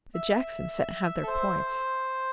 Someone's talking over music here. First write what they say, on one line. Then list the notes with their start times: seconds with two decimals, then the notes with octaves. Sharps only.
"The Jackson set have their points."
0.14 E5
1.23 A4
1.28 C5